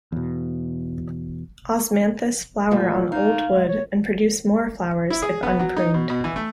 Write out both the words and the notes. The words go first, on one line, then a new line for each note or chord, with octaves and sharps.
"Osmanthus" flower on old wood and produce more flowers if unpruned.
E2 B2
A#2 F3 G3 A3
D#4 F5
G#3
C#5
E4
G#4
B3
F#3
D#4
B2
B2
E3
A3